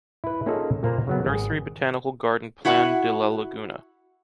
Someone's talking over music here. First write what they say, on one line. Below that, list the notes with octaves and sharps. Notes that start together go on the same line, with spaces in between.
Nursery Botanical Garden Plan de la Laguna.
E4 B4
A#3 C#4 D#4 F4 G#4 A4
A#2 A#3 C5 A#5
C#3 F#3 B3
G#1 G#4
E4 F#4 E5 F#5